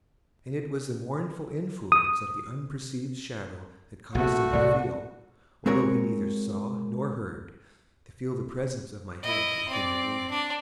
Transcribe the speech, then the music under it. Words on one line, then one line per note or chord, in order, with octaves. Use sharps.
And it was the mournful influence of the unperceived shadow that caused him to feel--although he neither saw nor heard--to feel the presence of my head within the room.
D#6
A#1 A3 B3 F#4
C2 A2 D5
G#3 C4 F#4 A#4 C#5
E4 D#5
C4 D5
D4 D5